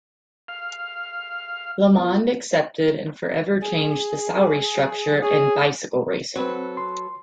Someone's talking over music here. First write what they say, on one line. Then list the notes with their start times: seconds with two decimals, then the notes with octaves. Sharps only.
LeMond accepted, and forever changed the salary structure in bicycle racing.
0.48 F5
1.98 B3 F4
3.61 G#4
5.22 G#4 C#5
6.36 F#3 C4 A4 B4
6.77 C6